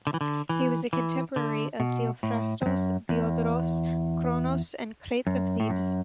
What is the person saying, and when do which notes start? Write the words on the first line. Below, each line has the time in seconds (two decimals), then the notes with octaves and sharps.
He was a contemporary of Theophrastus, Diodorus Cronus, and Crates of Thebes.
0.07 D3
0.14 E3
0.21 D3
0.49 E3
0.93 E3
1.36 D3
1.80 B2
2.23 A2
2.62 E2
2.66 F#2
3.09 E2
5.27 F#2
5.60 A2
5.70 F#2